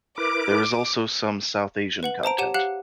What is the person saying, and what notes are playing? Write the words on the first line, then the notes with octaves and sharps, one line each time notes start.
There is also some South Asian content.
E4 A#4 B4 D6
B4 F#5 F#7
C5 A5 A#5 D7
G4 C#5 F#5 D#7 E7
G4 F5 F#5 F#6 C#7 F#7